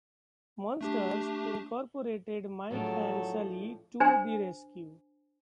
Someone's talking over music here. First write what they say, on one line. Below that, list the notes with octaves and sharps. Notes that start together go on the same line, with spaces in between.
Monsters, Incorporated Mike and Sulley to the Rescue!
A3 D4 G4
A2 F3 F#3 D4 G#4 A4
D4 C5 G#5